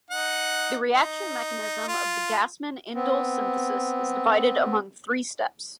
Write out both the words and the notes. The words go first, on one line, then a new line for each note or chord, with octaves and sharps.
The reaction mechanism of the Gassman indole synthesis is divided among three steps.
D#4 F#5
D#4
F4
B3 C4